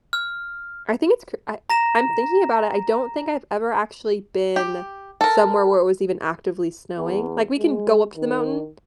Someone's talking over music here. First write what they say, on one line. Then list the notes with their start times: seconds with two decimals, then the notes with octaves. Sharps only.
I think it's cr I I'm thinking about it. I don't think I've ever actually been somewhere where it was even actively snowing. Like, we can go up to the mountain
0.13 F6
1.70 A#5 A#6 E7
4.56 G4
5.21 A4 A#4
6.98 E2
7.58 G#3
8.17 D#3